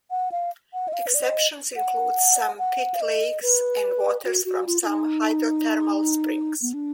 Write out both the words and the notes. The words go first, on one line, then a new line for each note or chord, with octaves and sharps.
Exceptions include some pit lakes and waters from some hydrothermal springs.
F#5
F5
F#5
D#5
F5
B4
D5
D#5
F#5
F#5
F5
D#5
B4
F#4
F#4
F4
F4
D#4
B3
D4